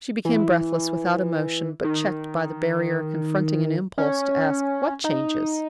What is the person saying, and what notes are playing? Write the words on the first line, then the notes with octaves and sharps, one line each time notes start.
She became breathless, without emotion, but checked by the barrier confronting an impulse to ask, what changes?
E3
D#3
C#4
D#4